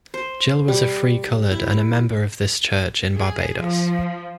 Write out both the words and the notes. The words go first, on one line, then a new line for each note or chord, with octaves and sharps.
Gill was a Free Coloured and a member of this church in Barbados.
C5
G3
E4
G#4
F3